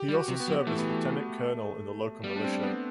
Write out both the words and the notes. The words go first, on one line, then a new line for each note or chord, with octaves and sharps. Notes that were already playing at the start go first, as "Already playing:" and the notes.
He also served as lieutenant-colonel in the local militia.
Already playing: G4
G3
F#4
C3
B3
F#3
E3 A3
B3
A3
G3 B3
D4
C4
B3